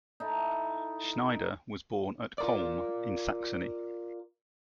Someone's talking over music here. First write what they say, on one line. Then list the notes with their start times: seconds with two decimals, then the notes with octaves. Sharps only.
Schneider was born at Collm in Saxony.
0.20 D#4 E4 A4
2.38 F4 A#4 D5